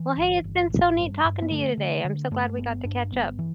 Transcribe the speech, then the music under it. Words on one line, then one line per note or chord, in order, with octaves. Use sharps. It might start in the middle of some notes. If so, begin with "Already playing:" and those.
Well, hey, it's been so neat talking to you today. I'm so glad we got to catch up.
Already playing: E3
G1
G1
A1
G2
G2
B3
D3 A3
D3
D3
G2 A3
G1 B3
G2 D4
G1 B3
E3